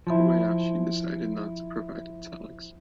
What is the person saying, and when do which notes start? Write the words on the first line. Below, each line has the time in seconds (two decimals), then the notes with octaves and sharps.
Kobayashi decided not to provide italics.
0.07 F3 E4